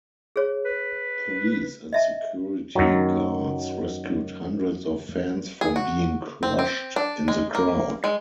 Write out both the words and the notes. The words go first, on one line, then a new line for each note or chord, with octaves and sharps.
Police and security guards rescued hundreds of fans from being crushed in the crowd.
G#4 C#5
B4
D#5 E5 A5
F#2 D#3 F#3
G#4
F#4
C4
C4
D4
G#3
A#3
G#3